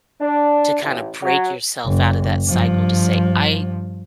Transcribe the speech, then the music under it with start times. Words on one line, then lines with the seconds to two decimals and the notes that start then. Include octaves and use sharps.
To kinda break yourself out of that cycle to say, "I
0.20 D4
0.79 A1
1.22 F#3
1.86 F#1
2.47 G2 F3